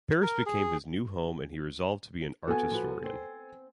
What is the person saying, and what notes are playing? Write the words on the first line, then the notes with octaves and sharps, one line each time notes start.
Paris became his new home and he resolved to be an art historian.
A#4
G#4
B3 F#4 A4 G#5
F3 F#4 B4
C4 C5